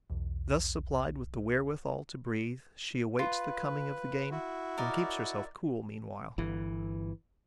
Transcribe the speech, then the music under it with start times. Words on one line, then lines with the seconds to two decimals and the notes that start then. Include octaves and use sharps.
Thus supplied with the wherewithal to breathe, she awaits the coming of the game and keeps herself cool meanwhile.
0.10 B1 E2
3.19 F4 B4
4.31 E4 F#4
4.78 A#4 D5 D#5
6.38 G1 E3